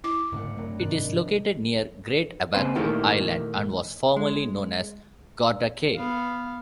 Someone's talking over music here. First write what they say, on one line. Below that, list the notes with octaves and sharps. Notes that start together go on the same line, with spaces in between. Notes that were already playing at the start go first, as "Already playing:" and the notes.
It is located near Great Abaco Island and was formerly known as Gorda Cay.
E4 D6
F#1 C2 G#2 D3 A3 F#5
G2 F#3 A3 C4
G#2 C3 D#3 F3 D4 F#6
C#3 A#3 C4 B4 C5
A#2 D#3 A3 A#3 E4 G4
G#3
B3 F5